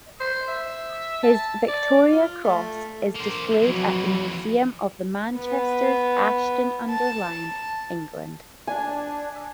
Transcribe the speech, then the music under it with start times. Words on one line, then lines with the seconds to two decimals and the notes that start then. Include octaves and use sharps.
His Victoria Cross is displayed at the Museum of the Manchesters, Ashton-under-Lyne, England.
0.20 C5
0.48 E5
1.23 A5
1.68 D5
2.12 F4
2.44 A3
3.16 A#3 C5
3.63 F2 E3 F#3
5.36 B3
6.90 A5
8.67 D4 G#5